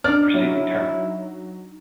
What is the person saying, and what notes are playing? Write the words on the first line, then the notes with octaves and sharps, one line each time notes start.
The preceding Turn!
D4 D#4 D5 F6
F#3 E4